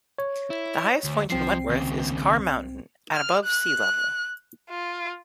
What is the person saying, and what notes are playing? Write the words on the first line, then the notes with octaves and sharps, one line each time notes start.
The highest point in Wentworth is Carr Mountain, at above sea level.
C#5
E4
D2
C2 F3 C4 C7
D#2 C#3
F6
F#6
F4